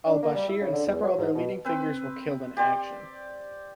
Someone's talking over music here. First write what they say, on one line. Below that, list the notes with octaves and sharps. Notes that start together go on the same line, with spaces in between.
Al-Bashir and several other leading figures were killed in action.
D4
A#3
G3
E4
C#3
D3
E2
F#3
G#2
B2
C4 B4
G4 D5 C6